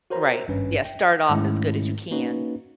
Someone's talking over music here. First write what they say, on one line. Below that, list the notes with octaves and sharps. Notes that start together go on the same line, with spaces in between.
Right. Yeah, start off as good as you can.
F#4 A#4 C5 C#5 A#5
G#1 G2 C#4 B4
G5
G#2 D#3 G#3 A3 C#4 E4
A#3 C#4 D#4 F#4 B4